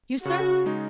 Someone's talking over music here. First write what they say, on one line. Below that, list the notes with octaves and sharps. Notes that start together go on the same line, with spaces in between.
You, sir?
C#3 F#4
G#3 D#4